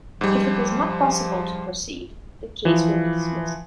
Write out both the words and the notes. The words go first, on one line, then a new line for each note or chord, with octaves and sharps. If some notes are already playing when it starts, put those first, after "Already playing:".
If it is not possible to proceed, the case will be dismissed.
G#2 F3 G3
E3 F3